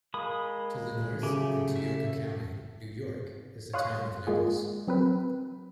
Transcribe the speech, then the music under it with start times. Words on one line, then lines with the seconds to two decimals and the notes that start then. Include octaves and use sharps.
To the north, in Tioga County, New York, is the town of Nichols.
0.14 G#3 A#3 B5 D#6
1.23 C#3 F#3 A3 G4 G#4
1.76 E5
3.73 C#5 F5 C6 D#6 F#6
4.27 G#3 A#3 F4 G#4
4.87 F#3 C4 A#4 B4